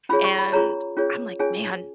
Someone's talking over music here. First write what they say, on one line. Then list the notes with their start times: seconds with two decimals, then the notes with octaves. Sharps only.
and I'm like, "Man,
0.09 C#4 F4 G#4 C#5 B5
0.24 C#6
0.39 B5
0.53 C#4 F4 G#4 C#5 A#5
0.97 C#4 F4 G#4 C#5
1.39 C#4 F4 G#4 C#5 G#5